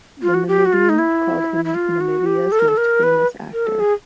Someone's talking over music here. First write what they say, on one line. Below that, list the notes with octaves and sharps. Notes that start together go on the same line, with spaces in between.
"The Namibian" called him "Namibia's most famous actor".
F4
F#4
G4
F#4
F4
D#4
E4
E4
F4
F#4
G4
A4
A#4
A4
A#4
B4
A#4
A4
G#4